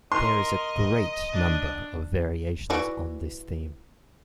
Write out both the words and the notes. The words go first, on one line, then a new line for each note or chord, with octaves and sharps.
There are a great number of variations on this theme.
A#4 D#5 C6
D4
E3 F#4 D5